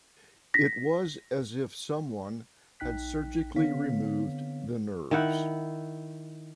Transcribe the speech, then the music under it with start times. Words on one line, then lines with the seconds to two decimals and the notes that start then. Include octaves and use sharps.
It was as if someone had surgically removed the nerves.
0.54 A#6 B6
2.80 A#1 D#4 G5 F#6 B6
3.56 D3 B3 C4 C#5 F5 B6
5.11 D#3 E4 F#5